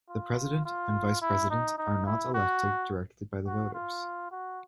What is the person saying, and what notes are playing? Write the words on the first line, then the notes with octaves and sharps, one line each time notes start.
The President and Vice President are not elected directly by the voters.
F4
F4
E4
D#4
D#4
E4
F#4
F#4
F4
F#4